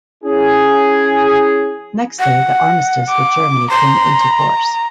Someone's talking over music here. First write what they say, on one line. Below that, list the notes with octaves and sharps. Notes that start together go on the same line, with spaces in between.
Next day the Armistice with Germany came into force.
C#4 E4 G#4
F#5
D6
A#5 C6